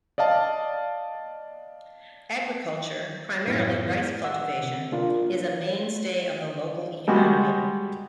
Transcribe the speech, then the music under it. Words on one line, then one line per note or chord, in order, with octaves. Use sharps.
Agriculture, primarily rice cultivation, is a mainstay of the local economy.
D5 D#5 F5 A5
F#2 A2 B3 E4 F6 A6
F#5 E6
C3
A#3 D4 F4 A#4
G3 G#3 F#4 G4